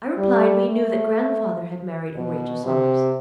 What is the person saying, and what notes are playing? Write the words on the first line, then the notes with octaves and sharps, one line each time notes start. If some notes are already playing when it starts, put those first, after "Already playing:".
I replied we knew that grandfather had married a Rachel Somers.
G3
A3
B2
C3